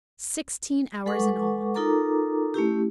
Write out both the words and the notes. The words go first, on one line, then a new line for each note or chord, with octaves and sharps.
"Sixteen hours in all?"
G#3 A4 B4 F#5 C#6 D6
D#4 F4 A4 A#4 A#5 D6
A3 C#4 E4 G4